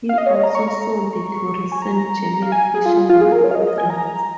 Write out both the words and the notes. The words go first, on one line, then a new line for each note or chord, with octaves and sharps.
He also sold to recent German fishermen immigrants.
F5
D#5
C#5
D#5
A#5
C#6
A#5
C#6
G#5
A#5
F5
G#5
G#4
F4
F4
G#4
A#4
C#5
F5
D#5
D#5
G#5
A#5